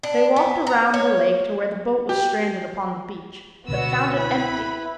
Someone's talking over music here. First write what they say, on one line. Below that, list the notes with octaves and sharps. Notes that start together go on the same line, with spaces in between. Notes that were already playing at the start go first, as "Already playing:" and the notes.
They walked around the lake to where the boat was stranded upon the beach, but found it empty.
D4
B3
A#5
C#5
G4
C#2 B2 D3 B3 F#4 E6
E4 B4 B5